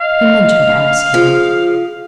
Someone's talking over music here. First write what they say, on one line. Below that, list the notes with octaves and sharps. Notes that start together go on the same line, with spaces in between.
He meant her to ask him.
D#5 F5
F3 G#4